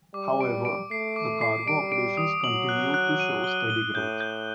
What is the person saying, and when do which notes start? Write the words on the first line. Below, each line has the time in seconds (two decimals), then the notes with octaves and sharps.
However, the cargo operations continue to show a steady growth.
0.14 G3 D6
0.41 D7
0.65 D7
0.91 A3 C7
1.16 D6
1.41 C7
1.67 G3 D7
1.92 D7
2.17 D#6
2.43 F#3 F#7
2.69 F#6
2.94 F#6
3.20 D#7
3.44 G7
3.70 G7
3.95 A2 G6
4.21 G6